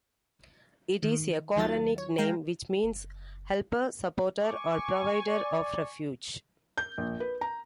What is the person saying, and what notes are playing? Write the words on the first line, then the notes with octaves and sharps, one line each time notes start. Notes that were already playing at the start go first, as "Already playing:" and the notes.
It is a Quranic name which means: helper, supporter, or provider of refuge.
D#3
D#2 D#3 F#3 F4 A6
C#5
G#3 F5 G5 A#5
F#1
G#5 C#6 D6
D5
G6
A#1
B4
A#5